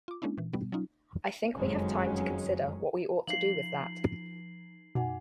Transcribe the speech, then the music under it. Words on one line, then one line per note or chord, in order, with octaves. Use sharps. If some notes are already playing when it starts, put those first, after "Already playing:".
I think we have time to consider what we ought to do with that.
F4 D6
G#3 A#3 C#4 D4 E4
A#2 E3
B2 G3 B3
F#3 C#4 D#4 F4
F#1 F2 D#3 F#3 G#3 C#4
F3 D#4 F5 C7 F#7
F#2 B2 D#4 F#5 G#5